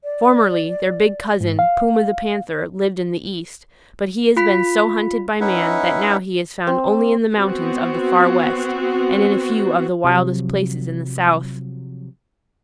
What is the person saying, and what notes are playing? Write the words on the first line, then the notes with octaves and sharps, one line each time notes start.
Formerly, their big cousin, Puma the Panther, lived in the East, but he has been so hunted by man that now he is found only in the mountains of the Far West and in a few of the wildest places in the South.
D5
G#2
F5
F4 B5 B6
C#4 D#4 E4 B4 E5 F#5
C4
B3 C4 F#4
C3 F3 F#3